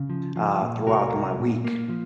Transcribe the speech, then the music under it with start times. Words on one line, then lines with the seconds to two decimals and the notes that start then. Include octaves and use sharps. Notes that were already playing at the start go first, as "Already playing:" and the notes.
uh, throughout my week.
Already playing: C#3
0.10 F3
0.36 F3
0.62 A#2
0.87 C2 F#4 A#4
1.13 C2
1.39 A#2
1.65 A#3
1.89 F3